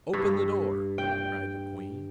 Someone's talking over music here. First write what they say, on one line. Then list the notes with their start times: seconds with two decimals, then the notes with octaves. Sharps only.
"Open the door!" cried the queen.
0.13 G2
0.98 G5